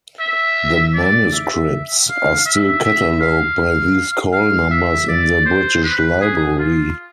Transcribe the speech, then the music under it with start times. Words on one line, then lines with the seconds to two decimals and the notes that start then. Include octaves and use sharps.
The manuscripts are still catalogued by these call numbers in the British Library.
0.20 E5
0.95 D5
1.32 E5
2.09 F5
2.45 E5
2.83 E5
3.21 F5
4.33 F5
4.71 E5
5.08 D5
5.45 C5
5.84 B4
6.21 G#4
6.59 F4